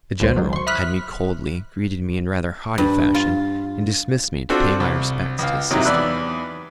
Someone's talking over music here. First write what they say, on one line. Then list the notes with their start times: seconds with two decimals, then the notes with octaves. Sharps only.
The General eyed me coldly, greeted me in rather haughty fashion, and dismissed me to pay my respects to his sister.
0.20 G#1 C#2 C5
0.36 D#3 F#3
0.53 C6 C#6
0.67 E5 B5 D#6 F6 F#6 B6
2.78 G2
3.14 F4
4.50 C4 D4 F4 F#4 A4
4.80 C2
5.39 C#2 F5
5.70 C3 D#3 F#3 D#4 E4
5.85 E2 D5 B5 E6 F#6